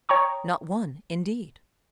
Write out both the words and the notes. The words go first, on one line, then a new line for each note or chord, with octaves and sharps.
"Not one, indeed."
C#5 G5 A#5 C#6 D#6